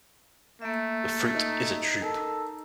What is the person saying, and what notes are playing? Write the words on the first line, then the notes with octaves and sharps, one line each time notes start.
The fruit is a drupe.
A3 A#3 E5
D#4
A4 A#4 A5